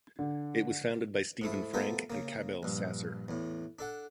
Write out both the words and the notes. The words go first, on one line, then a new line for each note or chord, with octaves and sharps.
It was founded by Steven Frank and Cabel Sasser.
D3
G#2 A3 E4
A3 B3 F4 A4 A#4 C5
C#3 A#3
A#1 G2
E2 A2
D4 A4 F#5